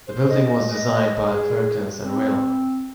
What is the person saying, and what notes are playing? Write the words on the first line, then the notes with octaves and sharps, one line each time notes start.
The building was designed by Perkins and Will.
C5
D#5
D#5
G#4
C4